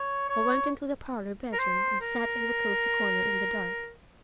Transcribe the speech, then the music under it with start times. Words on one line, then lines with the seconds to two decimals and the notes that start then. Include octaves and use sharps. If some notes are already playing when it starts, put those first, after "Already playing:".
I went into the parlor bedroom and sat in the cozy corner in the dark.
Already playing: C#5
0.30 C#5
1.53 A#4
1.59 C5
2.01 A#4